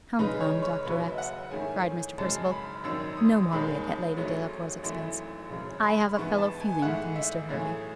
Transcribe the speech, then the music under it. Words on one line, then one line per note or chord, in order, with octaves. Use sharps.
"Come, come, Dr. X----," cried Mr. Percival, "no more wit at Lady Delacour's expense: I have a fellow-feeling for Mr. Hervey."
F#2 C#3 G#3 D#4 B4
C#5
C#5
D#2 C#3 F#3 B4
E5
F#5
G#2 D#3 A3 C#4 E4 G#5
G#1 F#2 C#3 G#3 A5
B5
G#1 F#2 D#3 E6
D#6
D#2 D#3 G#3 B5
G#1 G#2 F#3 A3 C#4
G#1 F#2 E3 A3 E4
G#1 F#2 C#3
B5
G#2 E3 B3 E4 C#6
A5
G#5
G#2 E3 A3 E4 F#5
E5
B1 A2 E3 A3 G#4